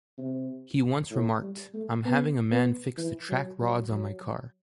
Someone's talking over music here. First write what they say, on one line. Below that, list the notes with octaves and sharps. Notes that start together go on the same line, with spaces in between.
He once remarked: I'm having a man fix the track rods on my car.
C3
A2
G3
A3
B3
B3
E3
F#3
F#3
F#3